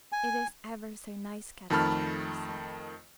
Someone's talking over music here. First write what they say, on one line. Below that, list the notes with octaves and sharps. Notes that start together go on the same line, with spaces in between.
"It is ever so nice, Kadok," she said.
G#5
F2 D#3 A3 A5 B5 F6